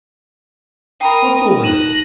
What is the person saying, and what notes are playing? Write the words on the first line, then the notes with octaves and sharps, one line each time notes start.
What's all this?'
A#4 G5 A#5 B5 D#6
D#4 F#6 A#6 D#7 E7